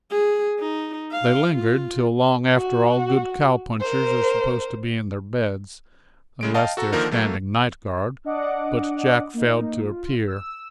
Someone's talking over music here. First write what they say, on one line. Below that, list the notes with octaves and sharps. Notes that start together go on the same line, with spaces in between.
They lingered till long after all good cowpunchers are supposed to be in their beds--unless they are standing night-guard--but Jack failed to appear.
G#4
D#4
F5
F4
F#4
A#4 C5
C#3 G#3 D7
D#5 F5 G5 A5
F#4 A4 A#5
D3 D#3 F3 A#3 A#4
F#3 A3 A#3
D4 D#5 F#5 D6 D#6
A#3 D#4
F4
E6